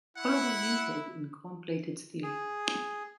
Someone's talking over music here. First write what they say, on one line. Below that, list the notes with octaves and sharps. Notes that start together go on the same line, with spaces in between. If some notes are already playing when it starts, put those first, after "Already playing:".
All were minted in chrome-plated steel.
E4 F#5
G#4